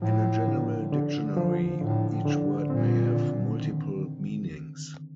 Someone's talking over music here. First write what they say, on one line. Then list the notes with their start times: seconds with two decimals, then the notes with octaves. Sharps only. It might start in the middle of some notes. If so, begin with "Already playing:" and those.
In a general dictionary, each word may have multiple meanings.
0.02 A2 F3
0.47 D3
0.92 D3
1.37 F3
1.81 A2 D3
2.25 D3
2.70 A#2 C4
3.15 D3
3.60 D#3